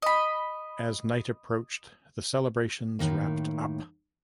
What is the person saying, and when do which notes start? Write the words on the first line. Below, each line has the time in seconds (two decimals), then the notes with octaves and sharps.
As night approached the celebrations wrapped up.
0.02 D#5 B5
2.99 F#2 A2 D#3 A#3